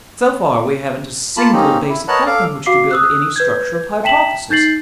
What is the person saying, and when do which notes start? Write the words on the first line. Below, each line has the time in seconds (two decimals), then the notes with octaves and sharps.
So far we haven't a single basic fact on which to build any structure of hypothesis.
1.37 A#3 F4 A5 B5
1.53 A#3 C4 C#4 D#4 G4
1.89 E4
2.08 A#4 B4 C#5 D#5 F#5 A5
2.27 A4 F5 D6
2.66 F#4 F5 D6 C7
2.91 D#6 E6 F#6
3.36 B4 G6 G#6
4.03 E5 G5 A5 B6 E7 F#7
4.50 D#4 G6 A6 C7 F#7